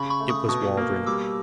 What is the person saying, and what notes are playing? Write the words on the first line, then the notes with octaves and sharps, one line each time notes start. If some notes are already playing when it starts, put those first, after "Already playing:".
It was Waldron.
Already playing: C#3 B5 C#6
B5 C#6
A3
C#6 D#6
B2 C#6 D#6
A#3
G3 D6 E6